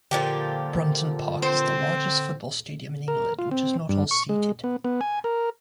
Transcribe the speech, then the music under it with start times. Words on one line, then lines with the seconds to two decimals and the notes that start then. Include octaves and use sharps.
Brunton Park is the largest football stadium in England which is not all-seated.
0.11 A#2 D3 F3 G4
1.42 C4 C5
3.08 A#4
3.39 F4
3.51 C4
3.89 G2
4.11 C#6
4.29 G#3
4.64 B3
4.85 B3
5.01 G#5
5.24 A#4